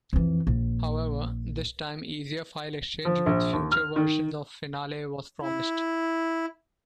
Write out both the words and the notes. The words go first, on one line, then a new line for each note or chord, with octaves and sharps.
However, this time easier file exchange with future versions of Finale was promised.
F2 E3
A#1
F3
A#1
D#2
F6
D#3
E4